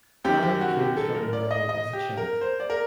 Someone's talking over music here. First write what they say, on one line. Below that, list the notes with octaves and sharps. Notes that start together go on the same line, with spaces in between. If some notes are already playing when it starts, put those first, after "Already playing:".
Clive King started writing as a child.
F#2 D#3 G4
G4
F#4
G4
A4
A#4
D5
D#5
D#5
G4
A#4
C5
D5
A#4